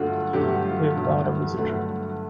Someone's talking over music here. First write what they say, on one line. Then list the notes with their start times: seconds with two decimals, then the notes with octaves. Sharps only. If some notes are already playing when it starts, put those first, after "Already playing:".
We've got a visitor!
Already playing: G2 D3 F#3 A3 F4 F#4
0.33 G2 D3 F#3 A3 G4
0.65 F4
0.95 G2 D3 F#3 A3 E4
1.57 G2 D3 F#3 A3